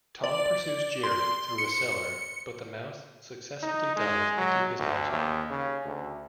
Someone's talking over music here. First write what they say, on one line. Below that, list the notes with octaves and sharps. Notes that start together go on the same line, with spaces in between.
Tom pursues Jerry through a cellar, but the mouse successfully dives into his mousehole.
D5
C6
C#7
D#4
G#3
F#3
D2
D#2
C#3
D2